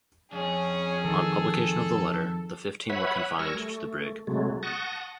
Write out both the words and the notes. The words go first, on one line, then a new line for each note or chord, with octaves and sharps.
On publication of the letter, the fifteen were confined to the brig.
F2 C#4 G#4
D#3 A4
B4 C#5 E5 F#5 B5
G3 A#4 G#5 C#6 E6 A#6
A3
C3 F#3 G#3 A3
F#5 A5 C#6 D#6 A#6